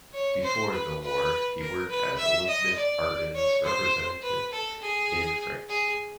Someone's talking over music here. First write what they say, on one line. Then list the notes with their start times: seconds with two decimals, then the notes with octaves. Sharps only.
Before the war he worked as Elizabeth Arden’s representative in France.
0.14 C#5
0.43 C5
0.73 B4
1.02 B4
1.61 A#4
1.89 B4
2.18 E5
2.48 D#5
2.77 D5
3.35 C#5
3.65 C5
4.23 B4
4.52 A4
4.81 G#4
5.69 G#4